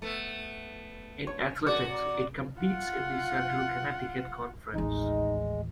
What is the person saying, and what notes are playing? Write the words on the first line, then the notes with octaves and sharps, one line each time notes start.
In athletics, it competes in the Central Connecticut Conference.
A3 B3
C#5
C3 F#4 D5
F4 F#5
A1 D#2 G#3 D#4